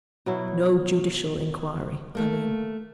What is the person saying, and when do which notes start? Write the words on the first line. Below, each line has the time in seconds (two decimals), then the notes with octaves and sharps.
No judicial inquiry, I mean.'
0.26 B2 F#3 E4
2.15 A3 A#3